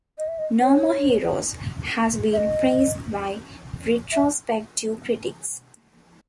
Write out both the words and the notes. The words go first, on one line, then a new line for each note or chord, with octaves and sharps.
"No More Heroes" has been praised by retrospective critics.
D#5
E5
D#5
C#5
E5
D#5
E5